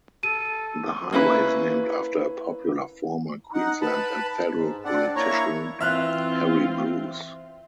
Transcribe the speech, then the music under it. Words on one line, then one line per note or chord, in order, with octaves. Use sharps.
The highway is named after a popular former Queensland and federal politician, Harry Bruce.
A4 D#7
A#3 C#4 E4 B4
D#4 F#5
B4 A5 B5
G#2
C4 D4 D5 F#5
A#3 E4 C#5 A#5 C#6
E3 C4 F4 E5 F6 F#6